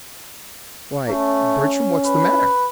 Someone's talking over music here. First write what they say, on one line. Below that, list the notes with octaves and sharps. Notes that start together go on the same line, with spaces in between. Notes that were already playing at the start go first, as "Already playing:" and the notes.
"Why, Bertram, what's the matter?"
A3 C#4
B4